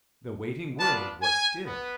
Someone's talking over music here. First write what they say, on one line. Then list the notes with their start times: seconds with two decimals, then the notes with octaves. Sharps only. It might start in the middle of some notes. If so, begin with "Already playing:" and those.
"The waiting world was still."
0.78 B3 D4 F4 A5
1.21 G#5
1.65 B3